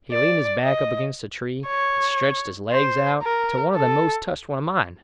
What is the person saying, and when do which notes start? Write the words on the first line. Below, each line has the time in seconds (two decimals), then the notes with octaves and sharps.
He leaned his back up against a tree, and stretched his legs out till one of them most touched one of mine.
0.12 D5
0.63 D#5
1.67 C#5
2.71 C5
3.23 A#4
3.75 A4